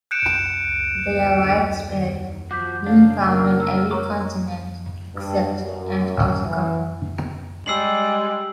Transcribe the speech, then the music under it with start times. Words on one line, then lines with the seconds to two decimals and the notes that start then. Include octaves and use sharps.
They are widespread, being found on every continent except Antarctica.
0.11 F#6 G6 C#7 D7 E7
2.51 F3 F#4 D6 G6 B6
2.86 C#3 A#3 D4 F5
3.29 A#4
3.60 E6 F6
3.91 C#5 A#5 C#6 D6 E6
5.14 G2
5.60 F#2
6.45 E3
7.66 G3 G#3 E6 C7 F#7